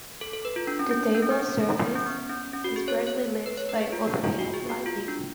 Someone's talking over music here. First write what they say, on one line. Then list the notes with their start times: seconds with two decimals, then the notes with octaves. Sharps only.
The table surface is brightly lit by overhead lighting.
0.21 A4
0.33 A4
0.45 B4
0.56 F4
0.67 D4
0.79 C#4
0.91 C#4
1.15 D4
1.22 C#4
1.30 B3
1.39 C#4
1.60 C#4
1.72 C#4
1.83 B3
1.95 C#4
2.06 B3
2.30 C#4
2.53 C#4
2.64 F#4
2.76 G#4
2.88 C#5
3.07 C#5
3.46 B4
3.57 C#5
3.69 B4
3.81 G#4
3.92 F4
4.07 D4
4.24 F4
4.39 F#4
4.54 G#4
4.69 F#4
4.86 F4
5.08 D4